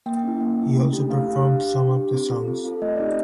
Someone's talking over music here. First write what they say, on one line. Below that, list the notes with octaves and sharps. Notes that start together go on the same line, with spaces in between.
He also performed some of the songs.
A#3 G5
C#4 E4
A#3
C#4 E4
A3
D4 G4
A3 F5
D4 G4
D4
G4
D4
G4
C4
F4 A4
C4
F4 A4
A3 D#5
C4 D#4 G4 D5